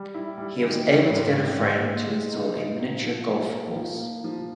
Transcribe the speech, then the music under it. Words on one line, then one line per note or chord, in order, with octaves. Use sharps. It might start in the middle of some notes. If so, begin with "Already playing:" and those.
He was able to get a friend to install a miniature golf course.
Already playing: G3
E4
G3
D#3
G3
G#2
D#3
G#2
G#3
G#3
D#4
D#4
A#2
F3
F3
A#3
F3
A#3
F3